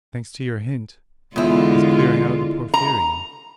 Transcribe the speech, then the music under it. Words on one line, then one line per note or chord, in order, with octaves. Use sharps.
"Thanks to your hint, he's clearing out of the Porphyrion."
E2 D3 G#3 E4 F4
A#5